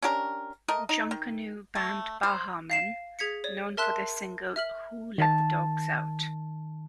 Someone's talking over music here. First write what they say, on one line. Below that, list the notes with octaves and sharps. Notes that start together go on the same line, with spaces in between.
Junkanoo band Baha Men, known for their single Who Let the Dogs Out?
C#4 D4 G4 A#4
A3 A#4 D#5
D#4
D#3
A3
C5
F5 C7 E7
G#4 G#6 B6 C#7
C#5 D5
A#4 E5 A5 C6 E6 F#6
E5 F6 F#7
D#3 A5